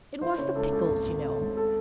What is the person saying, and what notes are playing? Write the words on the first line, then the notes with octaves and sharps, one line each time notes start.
It was the pickles, you know.
E3 C5
C#3 C#5
C#2 A4
C#2 A4
G#1
G#1
A3
G#2
A4